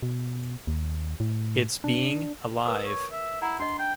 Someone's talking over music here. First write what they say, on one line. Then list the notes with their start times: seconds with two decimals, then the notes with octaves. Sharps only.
It's being alive.
0.03 B2
0.67 D#2
1.20 A2
1.84 D4
2.66 A#4 B4 D#6
2.85 C#5
3.12 E5
3.42 E4 F#5 A#5
3.60 D4 D#5 C6
3.79 G5